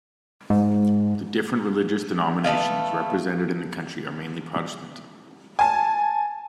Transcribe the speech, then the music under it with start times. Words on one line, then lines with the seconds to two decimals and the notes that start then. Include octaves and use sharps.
The different religious denominations represented in the county are mainly Protestant.
0.50 G#2
2.44 A3 B3 D#5 F5
5.59 G#5 A5